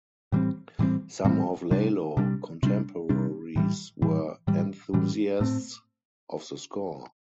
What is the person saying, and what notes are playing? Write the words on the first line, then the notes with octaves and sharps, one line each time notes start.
Some of Lalo contemporaries were enthusiasts of the score.
A2 E3 G3 C4
A2 E3 G3 C4
A2 E3 G3 C4
C3 G3 D4
C3 G3 D4
C3 G3 D4
C3 G3 D4
A2 E3 G3
A2 E3 G3
A2 E3 G3
A2 E3 G3
A2 A3 C4